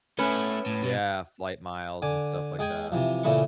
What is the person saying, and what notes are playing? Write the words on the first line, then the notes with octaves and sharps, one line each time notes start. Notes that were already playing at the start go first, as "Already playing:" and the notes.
Yeah, flight miles and stuff like that.
A3 B3 C#4 E4 B4
A2
B2
D3 G#5 D6
G#3 G#4 G5 G#5
C3 E3 F3
A#2 C#3 E3 A3 B5 C#6